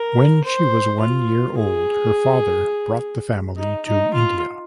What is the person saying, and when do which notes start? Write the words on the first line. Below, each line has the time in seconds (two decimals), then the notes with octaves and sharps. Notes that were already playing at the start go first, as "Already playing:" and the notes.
When she was one year old, her father brought the family to India.
Already playing: A#4
0.44 C5
1.01 F4
1.59 G#4
3.57 D#4
3.86 D#4
4.14 F4